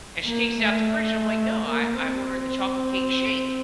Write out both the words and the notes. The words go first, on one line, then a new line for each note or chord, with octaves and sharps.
And she takes it out the fridge, and I'm like, "No, I I ordered the chocolate cake shake.
A#3
A3
A#3
C4